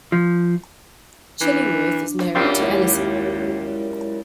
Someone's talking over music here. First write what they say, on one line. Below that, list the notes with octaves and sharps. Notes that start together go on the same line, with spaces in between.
Chillingworth is married to Alison.
F3
E3 D4
F#2 G3 C4 F4
D#2 G#3 E4 C#5